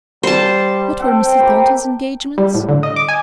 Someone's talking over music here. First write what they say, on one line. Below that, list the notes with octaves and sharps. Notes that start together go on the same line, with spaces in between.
What were Mr. Thornton's engagements?
G3 C5 A5
C4 A4 G5
A#3 G4 B5
G3
A2
D3
D#5
D6
G#5